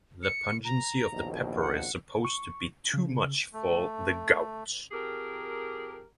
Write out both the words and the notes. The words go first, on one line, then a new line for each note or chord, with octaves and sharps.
The pungency of the pepper is supposed to be too much for the gout.
C#7
A#5
A#1 D#2 B2
F#5
C#6
C#3
A3
F2 G4 G#4 A#4